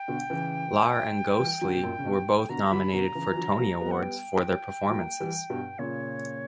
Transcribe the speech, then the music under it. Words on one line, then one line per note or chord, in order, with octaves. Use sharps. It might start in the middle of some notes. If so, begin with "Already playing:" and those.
Lahr and Ghostley were both nominated for Tony Awards for their performances.
Already playing: G5
B2 D3
C#3 E3
E3 G3
D3 F#3
B2
F#2 A#2
C#3
G2 B2
G5
B2 D3 A#5
D3 F#3 B5
B2 D3 A#5
C#3 E3
E3
D3 F#3
F#3 A#3
G3 B3
F#5
G5
F#3 A#3
E3 G3
G2 B2
A#2 C#3 C#5